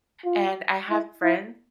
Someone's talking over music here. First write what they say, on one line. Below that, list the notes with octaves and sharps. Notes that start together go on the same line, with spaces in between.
and I have friends
F4
E4
E4